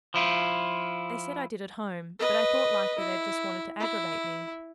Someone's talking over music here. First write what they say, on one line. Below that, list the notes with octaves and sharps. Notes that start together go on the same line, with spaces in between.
They said I did at home, but I thought likely they just wanted to aggravate me.
F3 E4 F4
B4 D#5
E4
E4